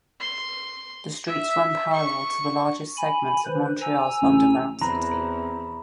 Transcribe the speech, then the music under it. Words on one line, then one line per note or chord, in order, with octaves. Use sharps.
The street runs parallel to the largest segments of Montreal's underground city.
C6
E5
C#6
G#5 B5
D#3 B4 C5
G#5 A#5 E6
A1
E2 E3 C4 A#5 B5